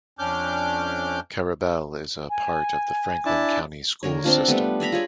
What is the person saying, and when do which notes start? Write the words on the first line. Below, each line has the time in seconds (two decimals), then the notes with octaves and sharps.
Carrabelle is a part of the Franklin County Schools system.
0.19 F2 C#4 D4 D6 F6 G6
2.30 G#5
3.26 D4 E4 A5
4.03 D3 A#4 C#5
4.24 C4 D4 F4
4.48 G3 A3 B3
4.80 D5 E5 A#5 B5
4.92 F4 G#4 C#5